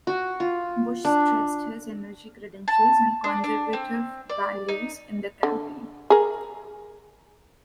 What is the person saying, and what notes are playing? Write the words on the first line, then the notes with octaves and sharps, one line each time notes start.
Bush stressed his energy credentials and conservative values in the campaign.
F#4
F4
D4
A5
D4
D4
C4
D5
D#4
D3
G#4 A#4